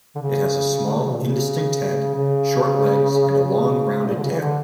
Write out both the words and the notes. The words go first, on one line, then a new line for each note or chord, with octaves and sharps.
It has a small, indistinct head, short legs, and a long, rounded tail.
D3
C#3
D3
C#3
A#2
C#3
C#3
C#3
A#2
D3
C#3
E3
D3